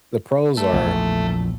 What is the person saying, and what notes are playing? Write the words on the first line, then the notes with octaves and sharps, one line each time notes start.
the pros are
A3
A#1 E2